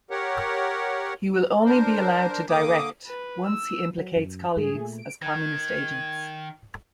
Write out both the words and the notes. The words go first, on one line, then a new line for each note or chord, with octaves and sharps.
He will only be allowed to direct once he implicates colleagues as Communist agents.
G4 A#4 C#5 F#5
D4 A#4 C5
D3 A#3 D6 D#6
B4
E6
F#3
F#2
G#2 G3 A3 G#4
A#2 A3
D7
D#3 G#6